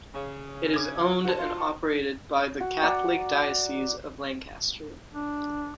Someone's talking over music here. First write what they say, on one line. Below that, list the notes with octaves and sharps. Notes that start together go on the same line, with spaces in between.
It is owned and operated by the Catholic Diocese of Lancaster.
C#3
D6 G#6
F4
D3 F#4 C5 A5
F4
F#4
D5 F#5 A#5
D4